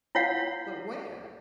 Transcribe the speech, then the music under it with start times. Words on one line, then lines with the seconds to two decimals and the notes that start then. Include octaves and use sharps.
But where?
0.15 E4 F4 C#5 F5 F#5